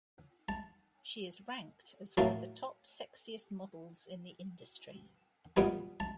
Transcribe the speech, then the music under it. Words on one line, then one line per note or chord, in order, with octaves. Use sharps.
She is ranked as one of the 'Top Sexiest models in the industry.
A5
A2 F#3 A#3 A5
A#2 G3 B3 G#5
A5